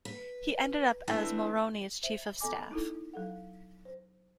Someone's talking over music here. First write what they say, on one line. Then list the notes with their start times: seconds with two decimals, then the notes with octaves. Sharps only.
He ended up as Mulroney's chief of staff.
0.05 B4
1.08 E3 A3 C4 D4
2.03 C5 E5
2.41 B3 A4 D#5 G#5 D6
2.71 D#4 E4 A4
3.14 F#3 A4 F#5
3.85 C5